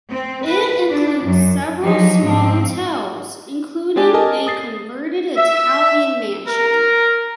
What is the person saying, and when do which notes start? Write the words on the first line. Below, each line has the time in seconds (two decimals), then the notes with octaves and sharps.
It includes several small hotels, including a converted Italian mansion.
0.10 C4
0.44 B4
0.90 D4
1.24 F#2
1.80 F3 F#3 D4 D#4
2.21 G#2 F3 C4
3.96 G#3 C4 D4 G4 D5 G#5
4.14 A#4 D#5 G#5 A5
4.47 D#6 A6 C7
5.37 E5
6.47 A#4